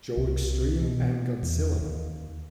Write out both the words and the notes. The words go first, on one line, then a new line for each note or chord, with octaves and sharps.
Joe Extreme and Godzilla.
C2
B2
E2
D#2